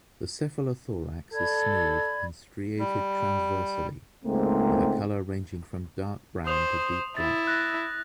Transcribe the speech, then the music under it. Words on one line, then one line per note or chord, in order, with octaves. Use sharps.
The cephalothorax is smooth and striated transversally, with a color ranging from dark brown to deep black.
A4 D5 B5 G#6
G3
C#2 G#2 A3 A#3 C4
C5 D#6 F7
E4 A6
F#6 A6 A#6